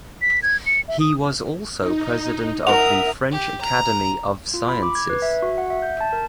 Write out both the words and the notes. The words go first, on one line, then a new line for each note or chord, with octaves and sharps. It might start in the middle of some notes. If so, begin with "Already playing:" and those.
He was also president of the French Academy of Sciences.
B6
G#6
C#7
E5
D#6
D#4
A#4 E5 F#5 D#6 F7
G4
A#5
F4
B5
D6
G#6
B4
E5
F#4
F#5
E5
G6
A5
A#4